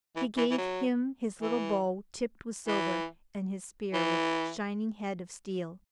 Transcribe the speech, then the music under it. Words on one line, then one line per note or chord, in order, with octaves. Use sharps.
He gave him his little bow tipped with silver, and his spear with shining head of steel.
E3
E3
E3
F#3
E3
E3
E3